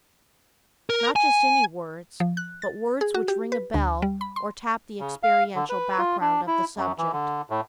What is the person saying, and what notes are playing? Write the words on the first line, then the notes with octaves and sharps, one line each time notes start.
Not just any words, but words which "ring a bell" or tap the experiential background of the subject.
A#4
G#5
F3
F#6
A6
G#4
F#4
G4
B4
D2
G3
B5
C6
C#3
F5
D3
B4
F4
D4
E4
F#2
E3
D3
A2